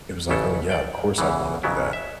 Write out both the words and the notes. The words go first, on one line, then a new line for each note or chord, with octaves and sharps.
it was like, "Oh yeah, of course I'd wanna do that."
A1 C#3 E4 A4
D5 G5
E2 C#3 E3
F2 C#3 F#3 B3 E4
E5